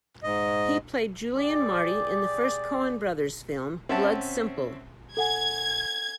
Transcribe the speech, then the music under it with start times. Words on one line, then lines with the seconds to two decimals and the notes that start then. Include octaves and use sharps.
He played Julian Marty in the first Coen Brothers film, "Blood Simple".
0.23 G#2 D#5
1.36 G4 G#4 D5
3.89 C4 C#4 E5 F#5 A5
5.17 A4 F#5 G#5 G#6